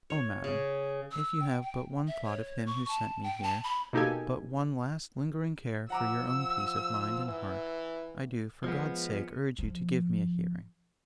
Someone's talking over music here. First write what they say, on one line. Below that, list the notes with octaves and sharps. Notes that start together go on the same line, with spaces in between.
Oh, madam, if you have but one thought of him who sent me here, but one last lingering care for your own peace of mind and heart, I do for God's sake urge you to give me a hearing.'
C#5
C#3
E6
G5
G5
E5
C#5
C#6
A5
G5
A5
B5
B2 A#3 D#4 G4 A4 G#5
F3 F#5 A#5 D6 E6
E3
F3 G#3 B3
F3